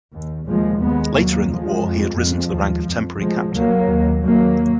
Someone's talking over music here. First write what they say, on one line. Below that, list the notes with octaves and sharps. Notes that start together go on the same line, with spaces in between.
Later in the war he had risen to the rank of temporary captain.
D#2
D#2 F3 G#3
D#2 G#3 B3
D#2 F#3 A#3
D2 F3 G#3
F2
F2 F3 G#3
D#2
F2
D2 F3 G#3
D2 F#3 A#3
D#2
D#2 F#3 A#3